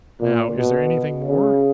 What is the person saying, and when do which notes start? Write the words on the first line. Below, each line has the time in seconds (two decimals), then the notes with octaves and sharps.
Now, is there anything more?'
0.20 A#2
0.57 B2
1.28 C#3